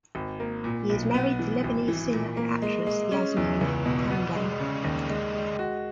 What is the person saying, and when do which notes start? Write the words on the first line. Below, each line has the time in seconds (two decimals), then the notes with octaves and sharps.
He is married to Lebanese singer and actress Yasmine Hamdan.
0.15 G#1
0.40 A#3
0.64 A#2
0.89 B1
1.14 B3
1.39 E3
1.64 G#1
1.88 E3
2.13 A#2
2.37 A#3
2.62 G#3
2.87 G#3
3.11 C#4
3.37 E2
3.61 C#2
3.86 B2
4.10 B3
4.35 G#3
4.60 C#3
4.84 D#2
5.10 G#3
5.34 G#3
5.59 F#4